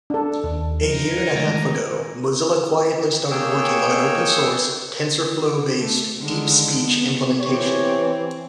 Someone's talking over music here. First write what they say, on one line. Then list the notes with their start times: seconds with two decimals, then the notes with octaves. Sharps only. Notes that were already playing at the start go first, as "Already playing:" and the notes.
A year and a half ago, Mozilla quietly started working on an open source, TensorFlow-based DeepSpeech implementation.
0.10 D4 A4
0.44 D#2
0.82 F3 D#4 A#4
1.35 D#3 G#3 A3
3.31 A#3 G#4 C#5 G5 C#6 E6
5.79 A3
6.18 D3 D#3 G#3
6.82 B3
7.39 E3 C4 G4 C#5